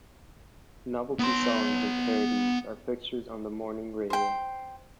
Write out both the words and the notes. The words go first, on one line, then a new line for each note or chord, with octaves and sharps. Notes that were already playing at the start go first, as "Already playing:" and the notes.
Novelty songs and parodies are fixtures on morning radio.
B3 C6
C5 G5